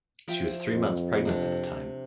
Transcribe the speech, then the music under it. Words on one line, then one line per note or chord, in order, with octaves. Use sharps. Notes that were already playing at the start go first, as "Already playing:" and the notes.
She was three months pregnant at the time.
F3 E5 G5
F2
C3 D4